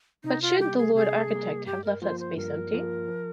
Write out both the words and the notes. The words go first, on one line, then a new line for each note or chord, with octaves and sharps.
But should the Lord Architect have left that space empty?
C3 D#4
F4
G3 A#3 G4
G#4
C3 G#4
G3 A#3
G2 G4
A#4
F3 A#3 F4 C5
C5
G2 A#4
F3 A#3 F4
F3